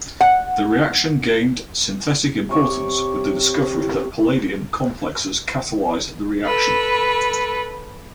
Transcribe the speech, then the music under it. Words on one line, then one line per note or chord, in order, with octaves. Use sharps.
The reaction gained synthetic importance with the discovery that palladium complexes catalyze the reaction.
F#5
C3 C#5 C#6 D6
A4 B4